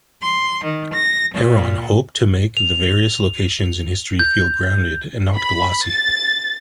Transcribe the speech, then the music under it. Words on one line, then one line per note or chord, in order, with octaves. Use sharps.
Herron hoped to make the various locations in history feel grounded and not "glossy".
C6
D#3
A#6
A#2
F7
G6
B5
A6